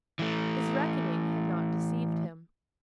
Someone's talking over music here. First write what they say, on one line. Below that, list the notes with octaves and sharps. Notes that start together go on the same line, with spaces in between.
His reckoning had not deceived him.
E3 A3